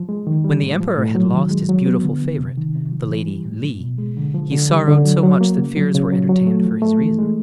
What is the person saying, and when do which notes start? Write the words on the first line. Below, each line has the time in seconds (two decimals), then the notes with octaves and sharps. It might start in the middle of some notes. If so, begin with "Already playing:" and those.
When the Emperor had lost his beautiful favorite, the Lady Li, he sorrowed so much that fears were entertained for his reason.
Already playing: F3
0.09 G#3
0.27 D#3
0.44 G3
0.62 A2
0.81 F3
0.97 A2
1.15 F#3
1.33 D#3
1.51 G#3
1.69 F#3
1.86 B3
2.04 D3
2.22 F3
2.40 C3
2.58 D#3
2.75 C3
2.92 F3
3.11 E3
3.27 G3
3.45 A2
3.64 F3
3.81 B2
3.98 G#3
4.17 D3
4.34 F3
4.52 D3
4.70 G3
4.88 D3
5.05 F#3
5.23 F#3
5.41 A#3
5.58 C#3
5.77 F#3
5.94 C#3
6.12 F#3
6.29 F#3
6.47 A3
6.65 F3
6.82 A3
7.01 E3
7.19 G#3